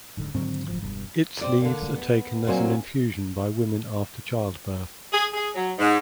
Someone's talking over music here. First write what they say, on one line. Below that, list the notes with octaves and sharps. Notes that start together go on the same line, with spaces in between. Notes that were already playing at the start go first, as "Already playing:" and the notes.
Its leaves are taken as an infusion by women after childbirth.
D1 G#2 D3
G#2 D3 D#3 F#3 C4
F1 C#2 F3
E1 G2
C4 D5
A#2 D3
B3
A#2 F#3 C4 C#5 G#5
G#4
G#4
F#3
G#2